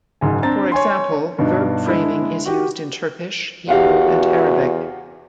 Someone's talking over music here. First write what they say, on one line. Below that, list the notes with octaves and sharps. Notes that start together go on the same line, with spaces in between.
For example, verb framing is used in Turkish, Hebrew and Arabic.
F#1 G#2 G#5
C4 D4 A#5 A6
C#5 G#5 C6
G2 B2 D4 D#4
D3 G#3 D4 E4
F#4 G4
E2 F#4 G4 F5 F#5